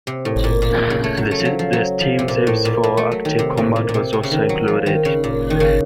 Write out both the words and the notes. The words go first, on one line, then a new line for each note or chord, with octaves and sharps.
The Steam service for Arctic Combat was also included.
C3
A2
A#2
A#2
C#3
A3
F#3
A3
F3
F#3
F3
F#3
F3
C3
A#2
A2
A#2
A#2
A3
F#3
D#3
C3
A2
A#2
A#2
C3
C3
C#3
D#3
F#3
F3
D#3
C#3
A#2
D#3
C#3